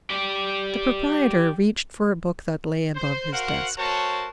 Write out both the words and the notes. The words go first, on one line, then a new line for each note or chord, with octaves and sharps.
The proprietor reached for a book that lay above his desk.
G4 D5
C5
F#4 A#4 C5 F5 F#5
A3 F#4 A#4 C5 C#5 A5